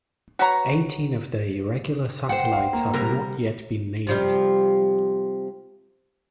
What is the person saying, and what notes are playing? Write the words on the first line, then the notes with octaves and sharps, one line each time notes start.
Eighteen of the irregular satellites have not yet been named.
F#4 B4 C#5 A#5
C5 F#5 G5
F5
A#3
C3 G3 A#4
C3 F3 G3